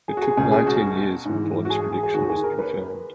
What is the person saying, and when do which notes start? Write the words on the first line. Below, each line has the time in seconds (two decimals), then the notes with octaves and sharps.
It took nineteen years before this prediction was confirmed.
0.08 G#4
0.17 F#4
0.22 G#4
0.37 C#2 B2 G#4
0.52 G#4
0.67 F#4
1.25 G#2 E3
1.65 F#4
1.70 G#4
1.81 G#4
1.93 G#4
2.03 G#4
2.14 D#2 D#3 F#4
2.30 G#4
2.44 A#4
2.59 B4